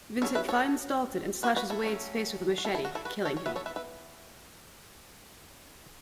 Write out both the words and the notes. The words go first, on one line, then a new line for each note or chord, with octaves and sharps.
Vincent finds Dalton and slashes Wade's face with a machete, killing him.
F#3 C#4 E4 A4
B4 E5
A4 C#5
F#4 B4
F#4 B4
E4 A4
F#3 A3 C#4
F#4
E4 A4
E4 A4
F#4
E4 A4
F#4 B4
A4 C#5
C#5
E3 B3 B4 E5
A4 C#5
B4 E5
B4 E5